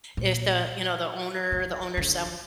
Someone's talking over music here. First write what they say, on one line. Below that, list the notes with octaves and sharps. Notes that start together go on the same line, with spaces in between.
If the, you know, the owner the owner's son
A#2
C3
D3